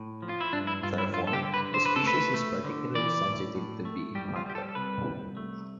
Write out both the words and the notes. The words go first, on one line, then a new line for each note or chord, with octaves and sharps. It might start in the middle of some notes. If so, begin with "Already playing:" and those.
Therefore, the species is particularly sensitive to being hunted.
Already playing: A2
F3
F4
E4
G2 D4
E4
G2 F4
E4
G2 F4
A4
G4
D3
B4
D3 C5
B4
A4
A3 B4
A3
D3
E3 D5
A2
A2
A3
G3 G4
F4
G3 G4
A4
A4
C2 B4
C2
A3